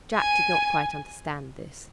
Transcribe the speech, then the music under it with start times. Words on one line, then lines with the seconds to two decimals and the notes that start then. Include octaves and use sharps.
Jack did not quite understand this.
0.15 G#5